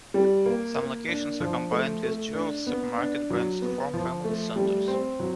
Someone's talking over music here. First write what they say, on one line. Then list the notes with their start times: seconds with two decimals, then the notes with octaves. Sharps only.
Some locations were combined with Jewel's supermarket brands to form Family Centers.
0.14 G3
0.46 A#3
0.77 A#3
1.08 D4
1.40 F3
1.71 A3
2.03 A3
2.35 D4
2.67 B3
2.98 D4
3.30 F#3
3.62 B3
3.93 F3
4.24 A3
4.56 G3
4.88 C4
5.20 F#3